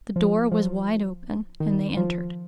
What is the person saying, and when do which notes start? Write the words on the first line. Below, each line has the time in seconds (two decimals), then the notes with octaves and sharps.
The door was wide open, and they entered.
0.16 F3
0.52 F3
1.60 D#3
1.97 F3